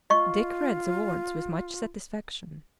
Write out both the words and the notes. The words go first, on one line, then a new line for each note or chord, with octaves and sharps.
Dick read the words with much satisfaction.
F4 D#5 C#6